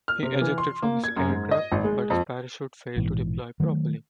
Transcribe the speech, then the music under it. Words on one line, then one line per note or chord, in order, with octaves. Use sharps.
He ejected from his aircraft, but his parachute failed to deploy properly.
F6
C3
E3
C6
A#3
G#6
F#2
G#2
D#5
G#1
G#3
F2
A#1 G#2 B2 E3
D#3 F#3 G#3 A3